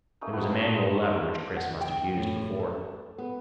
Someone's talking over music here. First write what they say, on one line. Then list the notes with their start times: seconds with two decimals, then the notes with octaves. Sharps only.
There was a manual lever, which Chris must have used before.
0.21 A3 A#3 C#4 D#4
0.33 F#3 B3
0.52 B4 A5 C6
0.67 D#5
0.91 A5 C6 C#6
1.57 F#5
1.81 G5
2.17 A2
2.59 A4
3.18 B3